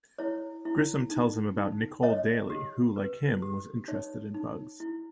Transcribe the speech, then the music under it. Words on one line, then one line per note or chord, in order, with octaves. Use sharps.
Grissom tells him about "Nicole Daley," who, like him, was interested in bugs.
E4 C#5
E4
D#4
D#4
C#5 D#5
G4
B4
G4
D#4 C#5
D#4
E4